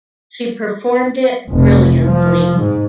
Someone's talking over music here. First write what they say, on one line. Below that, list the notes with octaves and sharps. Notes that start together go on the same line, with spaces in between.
She performed it brilliantly.
F1
F3
G#2